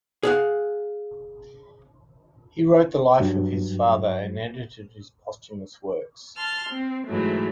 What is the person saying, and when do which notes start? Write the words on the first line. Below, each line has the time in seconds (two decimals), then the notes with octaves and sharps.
He wrote the life of his father, and edited his posthumous works.
0.23 G#4 F5 F#5
3.20 G2 F#3
6.37 A5 C6 F6
6.69 C4
7.07 G#2 E3 F#3 A3